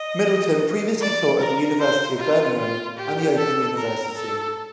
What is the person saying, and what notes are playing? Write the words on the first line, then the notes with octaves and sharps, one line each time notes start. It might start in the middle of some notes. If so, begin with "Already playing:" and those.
Middleton previously taught at the University of Birmingham and the Open University.
Already playing: D#5
D5
A#4
C5
F4
F4
G4
A4
A#4
A4